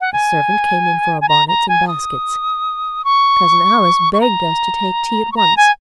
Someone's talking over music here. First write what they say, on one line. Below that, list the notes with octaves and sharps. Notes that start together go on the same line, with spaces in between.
A servant came in for our bonnets and baskets. Cousin Alice begged us to take tea at once.
F#5
G#5
G#5
A#5
A#5
G#5
D#6
C#6
C#6
A#5
C#6
A#5
G#5